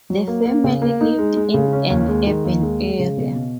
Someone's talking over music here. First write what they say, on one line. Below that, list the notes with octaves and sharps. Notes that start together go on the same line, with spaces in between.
The family lived in an urban area.
F#3
A#3
A#3
C#3
A#3
D#4
G#3
G#3
C#3
C#4
D#2
G#3
D#3
D#2
G#3
G#3
C#3
B2
B2